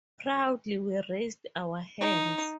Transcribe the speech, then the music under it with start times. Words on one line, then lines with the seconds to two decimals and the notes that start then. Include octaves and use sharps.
Proudly we raised our hands.
2.01 D#4